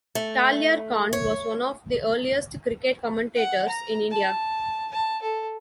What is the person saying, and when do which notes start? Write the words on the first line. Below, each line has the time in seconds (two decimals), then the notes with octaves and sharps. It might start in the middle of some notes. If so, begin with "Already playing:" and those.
Talyarkhan was one of the earliest cricket commentators in India.
0.15 A3
1.13 C#5
3.36 F#5
3.68 A#5
4.11 A5
4.92 A5
5.22 A4